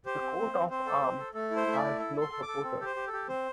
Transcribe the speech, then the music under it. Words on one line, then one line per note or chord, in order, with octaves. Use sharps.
The coat of arms has no supporters.
G4 C5
C4
C4
C4
C4 C5
A4
C4
A4
A3 A4
E4
C5
A3
E5
E4 D5
A4
A4
C6
A4
D6
A4
C4
G4 C5
G4
A4
G4
C4 C5